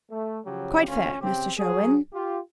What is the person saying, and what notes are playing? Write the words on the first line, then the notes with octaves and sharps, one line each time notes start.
"Quite fair, Mr. Sherwin."
A3
C#3 F3 F#3 G4
D2 C#4 F4
C#3 C4 G4
F#3 G#4
F4 G4